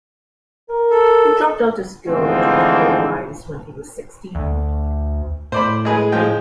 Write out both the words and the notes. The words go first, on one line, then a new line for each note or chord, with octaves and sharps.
He dropped out of school, due to poor grades, when he was sixteen.
A#4
A4
D2 G#2 E3 F3 B3 C4
D2
A2 C5 D5 B5
G#3 G#4 B4
F3 G#3 G5